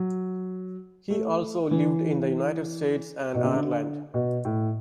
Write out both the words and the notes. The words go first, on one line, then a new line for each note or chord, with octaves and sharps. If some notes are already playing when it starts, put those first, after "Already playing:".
He also lived in the United States and Ireland.
Already playing: F#3
A3
E3
B2
C#3
D3
B2
A2